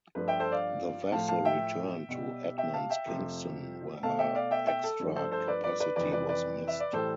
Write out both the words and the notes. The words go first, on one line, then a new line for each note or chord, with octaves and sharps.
The vessel returned to Edmonds- Kingston where her extra capacity was missed.
G2 F3 A3 B4
E5 G5
A4 C5
D5 F5
A2 F3 A3 F5 A5
F5 A5
E5 G5
B2 G3
E5 G5
F5 A5
E5 G5
F2 C3 F3 A3
B2 A3 F5 A5
E5 G5
D5 F5
E5 G5
E5 G5
A4
G2 F3 A3
A4 C5
A4 C5
B4 D5
B4 D5
B4 D5
F2 C3 E3 B4 D5
B4 D5
B4 D5
E5
D5
A2 E3 G3 A4 C5